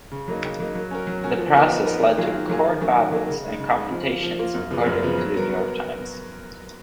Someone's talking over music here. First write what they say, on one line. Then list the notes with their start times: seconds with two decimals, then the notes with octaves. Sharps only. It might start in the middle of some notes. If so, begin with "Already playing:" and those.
The process led to "court battles and confrontations" according to the "New York Times".
0.12 C#3
0.28 F#3 A#3 D#4
0.43 C#3
0.60 F#3 A#3 D#4
0.75 F#3
0.91 C#4 F#4 A#4
1.07 F#3
1.23 C#4 F#4 A#4
1.38 F3
1.55 B3 D#4 A#4
1.70 F3
1.85 B3 D#4 A#4
2.02 D#3
2.17 F#3 A#3 F4 G#4
2.33 D#3
2.49 F#3 A#3 F4 G#4
2.65 D#3
2.81 F#3 A#3 C#4
2.97 D#3
3.12 F#3 A#3 C#4
3.28 C#3
3.44 G#3 D#4
3.60 C#3
3.75 G#3 D#4
3.91 F3
4.07 A#3 F4
4.22 F3
4.39 A#3 F4
4.55 F#2
4.71 C#3 F3 B3
4.86 F#2
5.03 C#3 F3 B3
5.18 F#3
5.34 B3 F#4 A#4